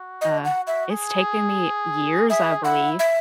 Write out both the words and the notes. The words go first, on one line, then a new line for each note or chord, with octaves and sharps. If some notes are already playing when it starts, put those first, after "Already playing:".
Uh, it's taken me years, I believe.
Already playing: F#4
D#5
F#5
E5
G#4
G#4 E5
E4 F#5
E5